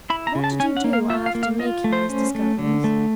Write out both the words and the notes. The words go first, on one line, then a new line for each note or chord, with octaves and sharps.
"What did you do, after making these discoveries?"
E4 B5
A#5
C#3
A5
C#4 G#5
F#5
A#3
F5
F4 E5
F5
A#3
F5
F4 D#5
A3
C5
C#4
A3
D3
A3